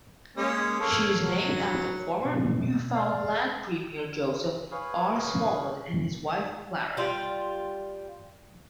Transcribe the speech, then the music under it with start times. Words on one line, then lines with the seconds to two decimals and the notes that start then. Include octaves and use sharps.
She is named after former Newfoundland premier Joseph R. Smallwood and his wife Clara.
0.37 G#3 A#3 C#4
0.80 A#3 A4 C#5
1.22 F#3
2.25 B2
2.95 D5 F5
4.71 G#4 B4 C#5 F5
6.97 G3 F4